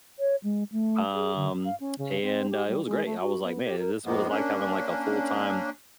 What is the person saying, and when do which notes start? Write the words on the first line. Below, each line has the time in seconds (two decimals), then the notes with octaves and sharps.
um, and, uh, it was great. I was like: "Man, is this what it's like having, like, a full-time
0.19 C#5
0.43 G#3
0.72 A3
1.13 G#4
1.36 D3
1.65 F5
1.80 C#4
1.98 C#3
2.22 C4
2.51 G4
2.67 G3
2.86 G#3
3.05 A3
3.20 F#4
3.44 B3
3.65 G4
3.79 A#4
4.06 F#2 A2 F3 G#3 A#3 B3
4.29 A#3 C#4 D4